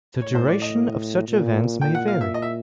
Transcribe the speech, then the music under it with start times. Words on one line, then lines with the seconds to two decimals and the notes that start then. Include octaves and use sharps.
The duration of such events may vary.
0.21 A2 C#5
0.35 C5
0.48 D5
0.62 D#5
1.28 A#2
1.81 A#2 G5
1.95 F#5
2.08 F5
2.21 E5
2.34 D#5
2.42 E5